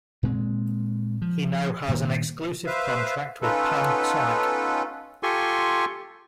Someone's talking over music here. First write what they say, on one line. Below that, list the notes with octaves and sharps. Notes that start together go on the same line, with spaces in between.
He now has an exclusive contract with Pan Sonic.
A#2 G#3 C4
F3
G2 A#2 D#3
B4 C5 E5 F5
B3 C#4 D#4 F4 A4 B4
F4 G4 A4 G#5 C6 C#6